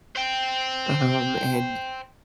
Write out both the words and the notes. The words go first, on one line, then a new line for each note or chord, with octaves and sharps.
uh-huh um, and
C5 G5